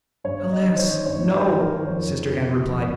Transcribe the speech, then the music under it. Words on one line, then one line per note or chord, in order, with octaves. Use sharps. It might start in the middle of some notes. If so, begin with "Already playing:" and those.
"Alas, No!" Sister Anne replied.
G2 C#5
G2
D#5
D#3
C5
C#5
D#3
G2 C#5
G2
C5
D#3
A#4
D#3
F2 C#5
F2
C#3
C#3
F2